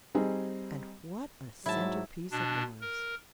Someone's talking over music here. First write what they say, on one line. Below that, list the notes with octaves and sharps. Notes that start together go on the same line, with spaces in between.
And what a centrepiece it was!
G3 C4 D#4 G#4
G#2 F#3 E4 A5
B2 D4
A#4